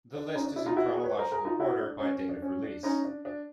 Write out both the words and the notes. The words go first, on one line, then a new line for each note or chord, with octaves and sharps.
The list is in chronological order by date of release.
D4
C#4 D#4
D4
D4 E4
D#4 F4
E4 F#4
F#4 G#4
B4 C#5
A#4 C5
G#4 A#4
D#4 F4
E4 F#4
D4
C#4
C#4
D4
C#4
D4
C#4 D#4
D4
D4